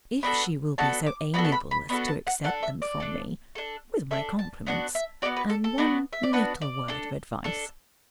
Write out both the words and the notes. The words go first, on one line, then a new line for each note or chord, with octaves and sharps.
"If she will be so amiable as to accept them from me, with my compliments and one little word of advice...."
B3 D4 F#4 A4 B5
B3 D4 F#4 A4 A5
D6
B3 D4 F#4 A4 B5
A5
B5
B5
B3 D4 F#4 A4 B5
A5
F#5
D4 A4 F#5
E5
D5
D4 A4
D4 A4
D4 A4 E5
A5
B3 D4 F#4 F#5
E5
B3 D4 F#4 D5
B4
A4
A4
B3 D4 F#4
E5
D5
B3 D4 F#4 B4
D5
D4 A4
D4 A4